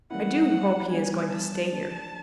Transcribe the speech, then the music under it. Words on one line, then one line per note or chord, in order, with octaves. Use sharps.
I do hope he is going to stay here.
E3 G3 A#3 C#4 E4 F#5
G3 B3 D4 G#5
A5
F3 A#3 D4 G4